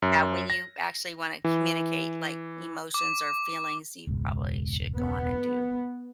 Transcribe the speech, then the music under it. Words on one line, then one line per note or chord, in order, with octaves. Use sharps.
yeah, when you actually wanna communicate, like, emotions or feelings, you probably should go on and do
F#2
A#6
E3
D6
E1 C#2 G#2
B3